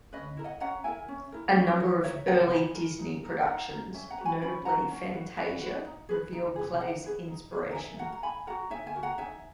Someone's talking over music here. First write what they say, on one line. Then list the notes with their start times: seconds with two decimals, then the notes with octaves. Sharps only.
A number of early Disney productions, notably "Fantasia", reveal Kley's inspiration.
0.13 C#4 B4 D#5
0.37 E4 A#4
0.44 D#5 F#5
0.60 C#4 F#5 A#5
0.84 E4 A#4 E5 G#5
1.08 C#4
1.32 E4 A#4
1.56 C#4
1.80 E4 A#4
2.04 D#4 C#5 E5
2.27 A#4 D#5 F#5
2.51 D#4 G#5 B5
2.75 A#4
2.99 D#4
3.23 A#4
3.46 D#4 F#5 A#5
3.70 A#4
3.94 C#4 E5 G#5
4.10 F#5 A#5
4.18 F#4 B4
4.25 G#5 B5
4.42 C#4 G#5 B5
4.65 F#4 B4 F#5 A#5
4.89 C#4
5.13 F#4 B4
5.37 C#4 B4
5.61 F#4 B4
5.85 D#4
6.09 G#4 B4
6.33 D#4
6.56 G#4 B4
6.80 D#4 D#5 F#5
7.04 G#4 B4
7.28 D#4
7.52 G#4 B4
7.71 A#5
7.75 D#4 E5 G#5
7.99 F#4 A#4 F#5 A#5
8.12 A#5
8.23 D#4 G#5 B5
8.47 F#4 A#4 F#5 A#5
8.70 D#4 E5 G#5
8.86 E5 G#5
8.94 F#4 A#4
9.03 F#5 A#5
9.18 D#4 E5 G#5